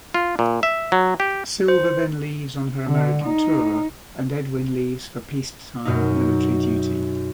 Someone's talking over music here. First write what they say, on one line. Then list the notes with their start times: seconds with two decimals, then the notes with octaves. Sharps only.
Silva then leaves on her American tour, and Edwin leaves for peacetime military duty.
0.14 F4
0.39 A#2
0.63 E5
0.92 F#3
1.20 G4
1.68 C5
2.87 D3
3.25 D#4
5.85 F#2 B2 D#4